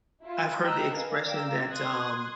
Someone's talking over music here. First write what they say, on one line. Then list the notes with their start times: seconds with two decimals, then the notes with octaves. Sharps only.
I've heard the expression that, um
0.22 E4 F4
0.63 D#5 G5 A#5 B5 E6 F#6
0.93 A#4 B4 D#5 F5 G#5
1.26 D5 F5 G5 A#5 E6
1.68 C6 D#6 F#6 G#6